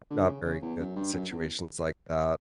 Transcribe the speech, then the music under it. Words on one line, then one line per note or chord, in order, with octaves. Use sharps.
not very good at situations like that
D3
C#3
C#3
E2
F#2
G2
F#2
E2